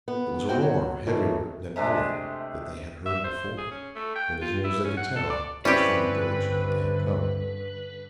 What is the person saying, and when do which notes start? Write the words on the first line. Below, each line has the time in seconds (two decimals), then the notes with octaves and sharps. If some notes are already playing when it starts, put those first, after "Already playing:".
It was a roar heavier than any that they had heard before, and as near as they could tell, it was from the direction that they had come.
0.08 B3
0.49 C3 B3 C4 F#4 G4 G5
0.62 F#3
1.07 G#2 D#3 E3 F#3 A3
1.76 C3 G#3 A3 D4
3.06 E5
3.24 C5
3.58 G#4
3.71 C#4
3.95 A3
4.15 G5
4.42 F4
4.64 E4
4.85 C#4
4.97 F#5
5.16 A4
5.30 D5
5.65 G2 D3 C4 C#4 E4 G4 B4 D5